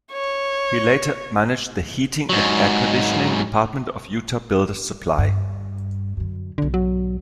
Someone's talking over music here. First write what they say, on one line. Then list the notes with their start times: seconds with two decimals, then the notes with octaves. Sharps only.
He later managed the heating and air conditioning department of Utah Builders Supply.
0.12 C#5
2.29 G#2 F#3
5.18 G2
6.17 F#2 D3
6.58 B1 G#2 D3
6.74 F#3